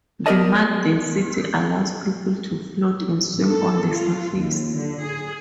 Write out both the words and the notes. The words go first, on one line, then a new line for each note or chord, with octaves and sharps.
The mud density allows people to float and swim on the surface.
B3 G4 A#4 D5 D#5 A5
A4
F4
D#2
D3
G#4